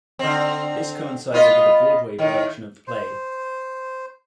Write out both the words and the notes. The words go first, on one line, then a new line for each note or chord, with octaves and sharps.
This coincided with a Broadway production of the play.
D3 C4
B3 F4 D#5
A2 D#3
C5